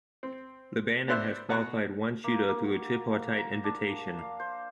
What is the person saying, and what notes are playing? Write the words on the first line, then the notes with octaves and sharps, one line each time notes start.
Lebanon has qualified one shooter through a tripartite invitation.
C4
B3 D4 C5 E5 F#6
B2 F#5 A#5 C#6 F#6
A#3
A#3
F#4
A#5
D4
F5
C5